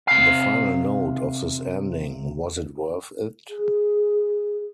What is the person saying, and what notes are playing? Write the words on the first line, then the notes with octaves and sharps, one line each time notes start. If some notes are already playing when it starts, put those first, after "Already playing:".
The final note of this ending: Was it worth it?
C3 F5
G#4